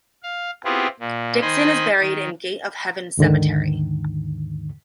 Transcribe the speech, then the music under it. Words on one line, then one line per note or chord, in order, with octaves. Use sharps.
Dixon is buried in Gate of Heaven Cemetery.
F5
B3 C4 E4 F4 G4 G#4
A#2
D#3 C5 D#5 G#5 B5 C6
D#3
D#2 G#2 D3 D#3